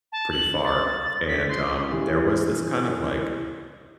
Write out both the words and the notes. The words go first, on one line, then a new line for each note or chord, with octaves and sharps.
pretty far, and, um, there was this kind of, like,
A5
F#7
A6
B6
C6
E3 G4